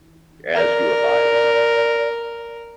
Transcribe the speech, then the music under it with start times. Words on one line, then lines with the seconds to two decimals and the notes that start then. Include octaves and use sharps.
As you advised.
0.55 A#4 D5